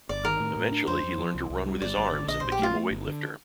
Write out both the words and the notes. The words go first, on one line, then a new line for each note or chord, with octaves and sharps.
Eventually he learned to run with his arms and became a weightlifter.
G1 D5
D#3 A#4
A2
A2
D4
F2 C5
F2
F3
C2
C2
G3
G1 D5
G1
D3
A#1 D#5
A#1 C5
G4
A3 F4
A3
G1
D3